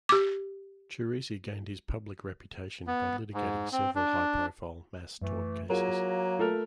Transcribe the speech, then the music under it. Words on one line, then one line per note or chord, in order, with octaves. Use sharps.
Ciresi gained his public reputation by litigating several high-profile mass tort cases.
G4 D6
B3
G#2
C4
D4
F#2 E3 A3
F#3 A#3 F4 G#4 A#4 A#5
A3 F4 A4 A#4